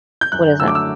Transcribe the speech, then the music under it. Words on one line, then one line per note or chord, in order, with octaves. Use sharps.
What is it?
G6
F#2 F#6
D3 F#3 A3 E6
D6
E6